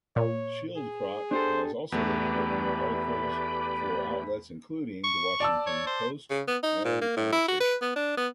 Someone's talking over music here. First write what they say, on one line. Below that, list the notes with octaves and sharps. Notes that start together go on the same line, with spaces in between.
Schildkraut has also written articles for outlets including "The Washington Post" and "The Conversation".
A#2 C#5
G#4
D4 G4 A4 C5
E2 A3 G4 B4 D5 B5
C#6
D5 A5 E6
C#5
C5
C#3
B3
D#4
A#2
A#3
A2
E4
F#4
B4
B3
D4
B3